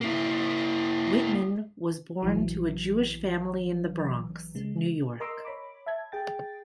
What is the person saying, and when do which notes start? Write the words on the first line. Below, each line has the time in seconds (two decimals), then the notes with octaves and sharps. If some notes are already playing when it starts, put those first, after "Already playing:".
Whitman was born to a Jewish family in the Bronx, New York.
0.01 A#3 E4
2.22 A#1 E3 F#3
4.55 C#3 G#3
5.20 A#4 D#5 A#5 C6 D6 E6
5.45 C#5 B5 D6
5.86 E5 A5 G#6
6.12 G#4 G5 A6